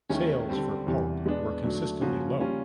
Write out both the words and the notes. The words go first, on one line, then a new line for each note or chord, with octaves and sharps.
Sales for "Pulp" were consistently low.
D#2 D#3 G#3 C#4 E4
D3 G3 C4
E2 C3 E3 G3
G#3 B3 D4
D3 F#3 A3 D4
C#3 F3 A#3 C#4 F#4
G3 A#3 C#4 F4